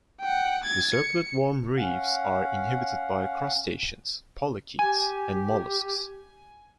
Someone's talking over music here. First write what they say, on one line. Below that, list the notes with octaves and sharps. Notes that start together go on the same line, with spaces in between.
The serpulid worm reefs are inhabited by crustaceans, polychaetes and mollusks.
F#5 G5
G#6 A6
C#7
C#4 F5 F#5
G4 G#5